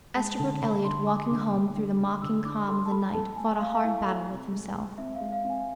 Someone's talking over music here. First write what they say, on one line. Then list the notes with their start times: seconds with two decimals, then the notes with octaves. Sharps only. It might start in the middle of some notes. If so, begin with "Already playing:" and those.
Esterbrook Elliott, walking home through the mocking calm of the night, fought a hard battle with himself.
0.15 G#3 A5
0.38 D3 A5
0.61 D3 B5
0.85 D3 C6
1.07 G#3 D6
1.30 D3 D6
1.54 D3
1.76 D4
1.99 D3
2.22 D3 E6
2.45 D4 D6
2.68 A4 C6
2.86 A5
2.91 A4 B5
3.14 A4 A5
3.36 A3 G#5
3.60 A3 F5
3.67 G#5
3.74 F5
3.84 E4
4.07 A4
4.29 C3
4.51 G#3
4.74 G#3
4.98 C4 E5
5.15 F5
5.20 G#3
5.32 F5
5.44 C4
5.50 G#5